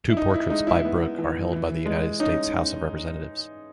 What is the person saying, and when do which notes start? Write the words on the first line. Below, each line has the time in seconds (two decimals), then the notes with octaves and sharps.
Two portraits by Brooke are held by the United States House of Representatives.
0.10 E4
0.17 D#4
0.34 E4
0.50 G#3 D#4
0.67 E4
0.85 B3
1.18 E3
1.52 E3
1.86 G#3
2.20 C#4 D#4